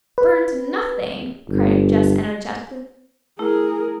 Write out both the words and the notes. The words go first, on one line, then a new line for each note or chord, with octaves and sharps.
"Burned, nothing!" cried Jess energetically.
B4
G1
A3 E4 G#4 A#4